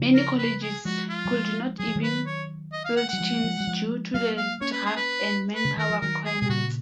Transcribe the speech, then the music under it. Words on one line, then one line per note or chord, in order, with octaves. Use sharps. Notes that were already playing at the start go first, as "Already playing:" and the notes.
Many colleges could not even field teams due to the draft and manpower requirements.
Already playing: C#3 F3
A#4
B4
G#4
F3 G#3 F#4
F4
F#3
F3 G#3
F#3 G#4
F3
D#3 F#3
B4
C#5
D#5
F5
F#5
F#3 F#5
F3 G#3
F3 G#3
F#3
F3 G#3
F#3 A#3 F5
F5
A#3 C#4 C#5
B4
G#4
B4
B4
C#3
D#3 A#4
F3
D#3 F#3 A#4
G#4
B2 G#4
A#2 C#3 F#4